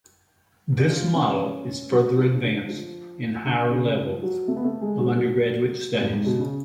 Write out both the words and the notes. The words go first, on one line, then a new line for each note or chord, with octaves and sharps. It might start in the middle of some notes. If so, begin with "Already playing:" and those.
This model is further advanced in higher levels of undergraduate studies.
D4
F4
C#4
F#3
F3
F3
D3
F3
D3
C#3
F3
F#3
A3
B3
A3
G#3
F#3
F3
F#3
A2
G#2
B2
C#3